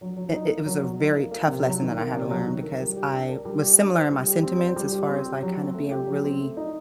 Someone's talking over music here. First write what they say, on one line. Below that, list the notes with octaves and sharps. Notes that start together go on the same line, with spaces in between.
i it was a very tough lesson that I had to learn because I was similar in my sentiments as far as, like, kinda being really,
F#3
F#3
D#4
A#3
F#3
F#3
D#4
A#3
A#3
C3
F#3
D#3
A#3
C3
F#3
D#3
A#4
G3
G4
D4
A#4
G3
G4
D4
C5
G3
G4
C4
C5
G3
G4
C4
G4
F#3
C4
A3
G4
F#3
C4
A3
D#4